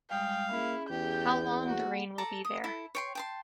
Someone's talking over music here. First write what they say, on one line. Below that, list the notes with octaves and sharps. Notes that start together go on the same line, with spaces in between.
How long the rain will be there?
G3 G#3 F5 G5 D#6
A#3 C#4 E4 G#4
E2 G4 G6
A#3 F#4 G#4 F#5
A4 D5 A5 A#5
D#6
E4 A4
C#5 G5 C6
G5 A5 C6